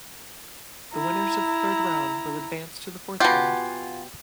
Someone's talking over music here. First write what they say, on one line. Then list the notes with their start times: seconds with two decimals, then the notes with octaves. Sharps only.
The winners of the third round will advance to the fourth round.
0.93 E4 A#5
3.20 B2 F4 G4 F#5 G#5